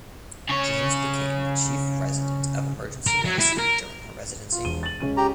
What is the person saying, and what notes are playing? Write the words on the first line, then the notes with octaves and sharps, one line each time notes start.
James became the Chief Resident of emergency medicine during her residency.
C#3 C#5
A#4
F#3
E4
A#4
F4
E1 D#7 G7
A6 F#7
C#2 C#4 D#7
G4 A#5